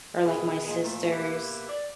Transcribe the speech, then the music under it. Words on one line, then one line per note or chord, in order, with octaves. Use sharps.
or, like, my sisters
B2 D#3 G#4
A#2 F3 G#3
A#2 F3 A3
B2 A#3 E4 G4 B4
D5